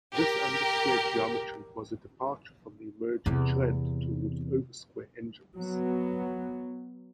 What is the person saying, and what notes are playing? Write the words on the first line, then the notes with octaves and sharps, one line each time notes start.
This undersquare geometry was a departure from the emerging trend towards oversquare engines.
G4 A#4
E2 C3
F#3 B3